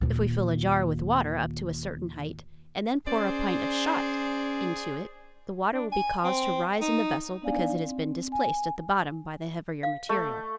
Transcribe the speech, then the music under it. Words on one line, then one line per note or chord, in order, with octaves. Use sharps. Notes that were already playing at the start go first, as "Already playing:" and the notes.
If we fill a jar with water up to a certain height and then pour a pint of shot into it the water will be caused to rise in the vessel because it has been displaced at the bottom by the heavier material.
D#2 A#2
C#4 G#4 C5 D5
D4
G#5
C4
D#4
B3 D4 D#4 D5 F5 G#5
C4
G#5
F5
A3